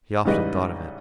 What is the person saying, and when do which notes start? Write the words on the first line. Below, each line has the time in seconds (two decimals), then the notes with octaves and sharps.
He often thought of it.
0.25 A1 G#2 C#3 G3 B4 D#5